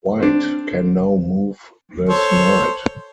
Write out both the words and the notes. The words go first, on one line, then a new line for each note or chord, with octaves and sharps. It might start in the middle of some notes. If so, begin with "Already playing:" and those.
White can now move this knight.
C4 D4
A4 C5 C#5